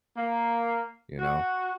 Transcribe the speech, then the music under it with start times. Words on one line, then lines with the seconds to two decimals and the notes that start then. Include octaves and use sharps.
you know,
0.17 A#3
1.19 F#4